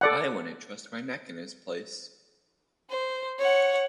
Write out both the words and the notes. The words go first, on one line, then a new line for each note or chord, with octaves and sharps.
I wouldn't trust my neck in his place.
A4 D5 F#5
C5
C#5 F#5